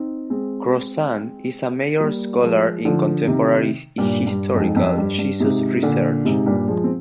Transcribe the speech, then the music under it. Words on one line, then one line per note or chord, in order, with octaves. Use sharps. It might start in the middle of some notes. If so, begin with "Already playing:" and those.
Crossan is a major scholar in contemporary historical Jesus research.
Already playing: C4 D#4
G#3 C4
G3 A#3
F3 G#3
D3 F3
C3 D#3
G2 A#2
G2
F2 G#2
F2
G2
G2
G#2 C3
A#2 D3
G#2 C3
G2 A#2
F3 G#3
C4